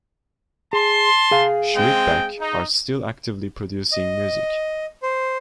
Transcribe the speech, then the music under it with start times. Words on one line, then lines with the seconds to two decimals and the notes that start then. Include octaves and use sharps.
Shriekback are still actively producing music.
0.73 G#4 A5 C6
1.31 G#4 F5
1.75 G#3 C4 G5
2.40 D#4
3.92 D#5
5.03 C5